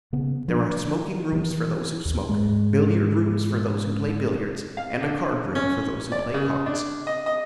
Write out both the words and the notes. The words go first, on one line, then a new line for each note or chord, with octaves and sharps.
There are smoking-rooms for those who smoke, billiard- rooms for those who play billiards, and a card-room for those who play cards.
C#3 B3
F3 D4
E3
D#2
G#2 G#3
F5
D3
C#4
D5
C#3
D4
D#5
D#5